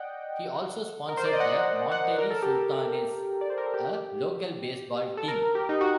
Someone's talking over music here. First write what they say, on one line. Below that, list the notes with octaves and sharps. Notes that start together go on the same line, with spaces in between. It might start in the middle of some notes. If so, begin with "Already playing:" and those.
He also sponsored the Monterrey Sultanes, a local baseball team.
Already playing: D5 D#5 F#5 G5
A#4
C5
D5
D#5
F#5
F#5
A#4
A4
G4
A4
D5
C5
A#4
A4
G4
A4
A#4
G4
D#4
F#4